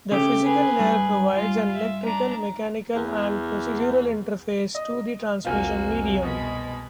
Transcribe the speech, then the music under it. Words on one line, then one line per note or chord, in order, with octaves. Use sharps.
The physical layer provides an electrical, mechanical, and procedural interface to the transmission medium.
C#3 A3 G4
G#4 B4
G2
F4
E5
D4 A#5
E2
D#5
F1 C2 A#3 F4 F#4 G#5 F6
B2 G#3 B5